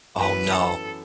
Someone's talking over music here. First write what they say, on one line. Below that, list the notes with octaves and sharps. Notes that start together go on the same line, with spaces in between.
Oh, no.
F#2 E3 B3 E4 B4
A4